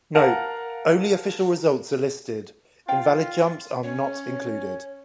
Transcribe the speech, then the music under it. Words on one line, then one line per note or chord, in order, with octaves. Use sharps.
Note: Only official results are listed, invalid jumps are not included.
A#4 F5 F#5 A5
F4 F5 G5
C#4 C#5